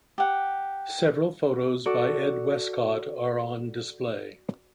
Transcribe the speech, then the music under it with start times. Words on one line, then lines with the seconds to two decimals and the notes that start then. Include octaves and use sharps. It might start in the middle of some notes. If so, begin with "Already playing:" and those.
Several photos by Ed Westcott are on display.
0.18 G4 F#5
1.86 F#4 A4 D5